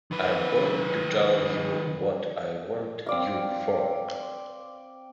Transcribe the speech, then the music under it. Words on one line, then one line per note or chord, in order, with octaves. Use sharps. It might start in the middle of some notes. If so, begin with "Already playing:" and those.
I'm going to tell you what I want you for.
D#3 B4
C4 D5 F5